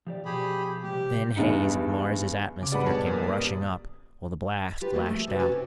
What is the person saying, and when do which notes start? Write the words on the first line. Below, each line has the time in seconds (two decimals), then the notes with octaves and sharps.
The thin haze of Mars' atmosphere came rushing up, while the blast lashed out.
0.07 F3 G4 D5
0.25 B2 F3 G4 G#4 B5
0.83 C3 G3 G#3 G4
1.36 E2 G2 D#4 C#7
2.61 C#3 D6
2.72 G2 B3 G#4 D5 F#5 B5
2.86 G#2 B2 C#5 D5 A5
3.06 E2 A#3
3.23 D5
3.38 D#1 D#6
4.81 F4 G4 B4
4.93 F3 A3 A#3 C4 F#4
5.06 A3 G#4
5.27 C3 F#4 B4
5.39 C#4 F#4 G#4 A4 B4 D5
5.52 C3